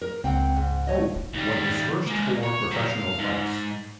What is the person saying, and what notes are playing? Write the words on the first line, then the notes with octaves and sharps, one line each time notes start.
Hope won his first four professional fights.
A#4
C#2 C4 F#5 G5
G#2
A3 C#5 D#5
D#2 G3
G#3 A#3
C#5
F#3 G4
F5
G#2